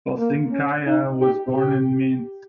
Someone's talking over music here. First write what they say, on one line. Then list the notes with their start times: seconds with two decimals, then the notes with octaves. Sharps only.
Boginskaya was born in Minsk.
0.18 A#3
0.52 C#4
0.87 D#4
1.22 G4
1.56 G4